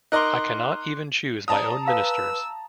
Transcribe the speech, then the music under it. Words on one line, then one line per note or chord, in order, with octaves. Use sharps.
I cannot even choose my own ministers.
D#4 A#4 D#5 C6 D6 F#6
D5 A5 A#5 D#6
B4 F5 E6